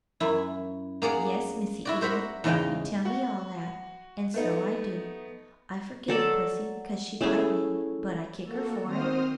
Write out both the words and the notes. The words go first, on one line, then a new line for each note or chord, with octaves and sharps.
"Yes, Missy Edith, you tell me all that, and so I do; I forgive pussy 'cause she bite me, but I kick her for it."
F#2 E4
A#3 G#4 D5 F#5
E4 F#4 D5
A#4 C5 E5 F#5 B5
E2 G#2 C#3 D#5 F5 G5
F#4
A3 B3 D#4
F#3 A4 D5
A3 C#4 E4 G#4
A#3 F#4 A4
D#3 C4 F#4 C5 D#6 F6